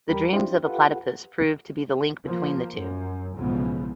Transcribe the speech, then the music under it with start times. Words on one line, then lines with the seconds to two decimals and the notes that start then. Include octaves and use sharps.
The dreams of a platypus prove to be the link between the two.
0.09 E2 G3 G4 A#4 B5
0.33 C4 D4 E4 F4 G4 C5
0.65 F4 G4 A4 B4 F#5
2.25 F3 A#3
2.73 F#2
3.36 B1 G#2 C#3 E3 F3 B3